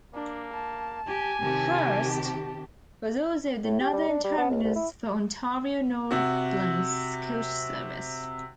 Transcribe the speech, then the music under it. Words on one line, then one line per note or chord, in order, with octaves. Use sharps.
Hearst was also the northern terminus for Ontario Northland's coach service.
A#3 D4
A5
G4 G#5
C3 D#3 G4 A5
A2
G4
G3
D4
G3
B3
C#2
C2
E4
C3 F#4